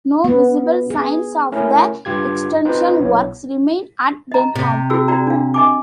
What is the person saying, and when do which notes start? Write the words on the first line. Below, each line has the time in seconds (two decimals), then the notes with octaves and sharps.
No visible signs of the extension works remain at Denham.
0.24 B3
0.90 G#4
1.52 A3 C#4 E4 A#4
2.05 G2 F4 G4 G#6
2.65 C4 D#4 F4 B4 C5
3.00 B1 B3 E4 C#5
4.32 D#5 A#5
4.55 C3
4.90 F#4 G#4 E6
5.08 F#4 D5 A#5
5.27 D4 F5
5.54 D#5 G#5 D6